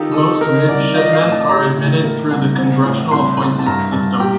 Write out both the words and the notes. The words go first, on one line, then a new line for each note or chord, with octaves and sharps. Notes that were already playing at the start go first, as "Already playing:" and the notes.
Most Midshipmen are admitted through the congressional appointment system.
Already playing: D#3 D#4 F4 G4 A4
D#3 A4
D#4 A#4
C2 D5
F4 D#5
F5
A2
A5
G4 A#5
A2
A#3
C2
C4
A2
C2 C6
C2
A5
G2 A#5
G2 A5
G4 G5